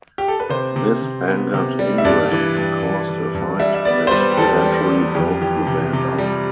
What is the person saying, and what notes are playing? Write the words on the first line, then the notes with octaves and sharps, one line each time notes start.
This angered Ingram, and caused a fight that eventually broke the band up.
G4
A4
B4
C3 C5
C3
C3
B3
C3
G3
E5
G2 D5
E3
G2
G2
E3
G2
G3 E5
E5
B3 D5
C5
G3 B4
G4
E2 A4
G3
G3
F2 G4
E3 G4
C3
C3
G3